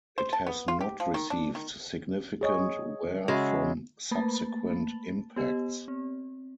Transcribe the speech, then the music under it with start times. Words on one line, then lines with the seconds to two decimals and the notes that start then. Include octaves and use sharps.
It has not received significant wear from subsequent impacts.
0.18 C5
0.33 A5
0.47 B3
0.68 F4
0.81 G4
1.00 F3
1.14 D#3
1.30 D4
1.55 D#3
2.41 G#4 C#5 D#5
3.28 C#3 G#3 F#4 E5
4.11 A3 A#3 A5 B5 A6
5.36 B3 G4 D#5
5.88 C4